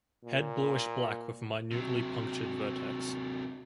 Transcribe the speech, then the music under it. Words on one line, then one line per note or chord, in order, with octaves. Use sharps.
Head bluish black with minutely punctured vertex.
A#2
C3 F#3